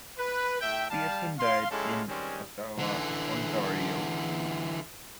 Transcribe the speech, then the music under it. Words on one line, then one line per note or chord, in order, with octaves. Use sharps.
Pearson died in Ottawa, Ontario.
B4
A2 E5 G5
G3 F5 A5
F5 C6
G#3 C#4 E4 F4 G4 A4
D#3 G3 G#3 C4 C#4
D3 E3